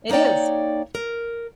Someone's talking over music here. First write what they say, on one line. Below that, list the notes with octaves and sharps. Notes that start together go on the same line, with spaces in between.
It is.
A#3 D#4 C#5 D5 G5
A#4